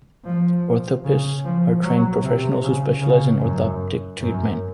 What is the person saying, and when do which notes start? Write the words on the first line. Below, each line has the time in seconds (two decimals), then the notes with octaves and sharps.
Orthoptists are trained professionals who specialize in orthoptic treatment.
0.25 F3
1.04 C#3
1.44 F3
1.83 F#3
2.23 C3
2.63 C#3
3.01 C#3
3.41 F#2
4.21 F#2